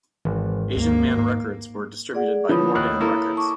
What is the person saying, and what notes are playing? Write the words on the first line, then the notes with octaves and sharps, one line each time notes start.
Asian Man Records were distributed by Mordam Records.
G#1 E3
D#2 A#3
G#2
G#4 D5 F#5
D3 E3 F3 C#5 B5 D#6
D#2 F#6
A#3 E4 A4
A5 C#6 D6